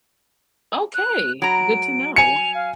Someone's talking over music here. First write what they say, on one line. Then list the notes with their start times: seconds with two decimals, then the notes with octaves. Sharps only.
Okay. Good to know.
0.94 F#6
1.42 F#3 A#5 D7
2.16 G#5 C#7 F7
2.55 F5